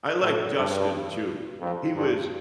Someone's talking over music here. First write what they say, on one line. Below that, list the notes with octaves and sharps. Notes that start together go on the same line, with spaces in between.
I like Dustin too. He was
A2
G2
F2
G2